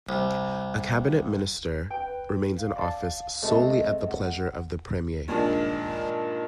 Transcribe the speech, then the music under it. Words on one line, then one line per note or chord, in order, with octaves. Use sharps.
A cabinet minister remains in office solely at the pleasure of the Premier.
C2
B4 G5
F5
D5 A5
C3 G#3 A3 D#5
F#5
G2 A#2 D#3 F3 G#3 D4